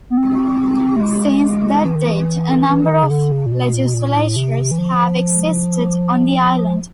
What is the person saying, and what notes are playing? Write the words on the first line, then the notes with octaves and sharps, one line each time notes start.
Since that date a number of legislatures have existed on the island.
B3
C4
A3
G#3
E3
D#3
E3
E3
E3
D#3
C#3
D3
C#3
A#2
B2
A#2
B2
A#2
A2
C3
E3
F3